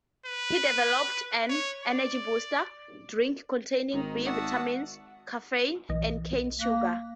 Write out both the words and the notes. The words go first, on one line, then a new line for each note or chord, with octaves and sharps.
He developed an "energy booster" drink containing B vitamins, caffeine and cane sugar.
B4
C#5
D5
G#1 D#3 D#4
F#4 D5 E5 F#5 A5 D#6
B1 E3 D#5
A#3 F#6 A#6 B6